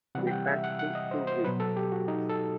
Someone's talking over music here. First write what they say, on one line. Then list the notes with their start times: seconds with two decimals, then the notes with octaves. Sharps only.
Repairs took two weeks.
0.15 C3 E3 G3 F#5
0.27 G5
0.32 F#5
0.47 E5
0.64 F#5
0.79 F#5
0.95 D#5
1.11 C5
1.27 C5
1.44 F#3 B4
1.48 B2
1.60 A4
1.77 G4
1.92 F#4
2.08 D#4
2.30 A4